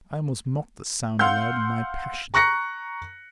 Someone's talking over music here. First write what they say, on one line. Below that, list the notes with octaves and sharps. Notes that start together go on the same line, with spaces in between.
I almost mocked the sound aloud in my passion.
F5 F#5 C6 E6 F6 G6
A#5 C#6 F#6 A#6 C#7